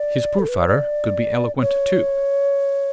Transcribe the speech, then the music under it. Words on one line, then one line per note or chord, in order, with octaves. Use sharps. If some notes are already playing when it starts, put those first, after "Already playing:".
His poor father could be eloquent, too.
Already playing: D5
A4
B4
C#5
D5
C#5